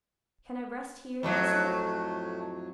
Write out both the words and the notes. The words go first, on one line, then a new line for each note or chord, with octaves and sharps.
'Can I rest here this night?
F2 A2 F#3 A3